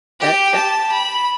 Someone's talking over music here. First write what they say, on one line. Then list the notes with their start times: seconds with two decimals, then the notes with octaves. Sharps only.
A a
0.20 G4
0.55 A5
0.92 B5